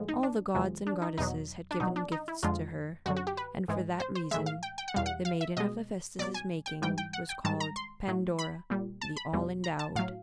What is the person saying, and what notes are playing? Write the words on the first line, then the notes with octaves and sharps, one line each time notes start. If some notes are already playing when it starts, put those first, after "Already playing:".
All the gods and goddesses had given gifts to her, and for that reason the maiden of Hephaestus's making was called Pandora, the All-endowed.
Already playing: A2 F3 G#3
D#4
D4
E2 C3 F3 G#3
D4
D#4
E2 B2 F#3 D#4
D4
B2 F#3 D#4
D4
D#4
E4
F2 D3 F3 G#3 F4
F#2 D3 F#3 F#4
F#4
G4
B4
G#2 E3 G#3
C5
C5
A2 E3 G#3 E5
F5
G5
G5
F#5
E2 B2 G3 F5
F#5
F5
E5
B2 G#3 D#5
B2 F#3 D5
G#5
G5
G#2 E3 G3 G5
G5
F#5
G5
G#2 D#3 G3 A5
A#5
C6
A2 F#3
B5
A#2 G3
A5
B5
E2 B2 G3
A#5
A5
A2 F#3 F5